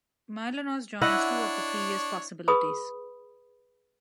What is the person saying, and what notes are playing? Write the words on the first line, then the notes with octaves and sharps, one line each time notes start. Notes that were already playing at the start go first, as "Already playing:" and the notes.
Mylonas joins two of the previous possibilities.
D4 E4 C#5 D#5 F#5
G#4 B4 B5 D#6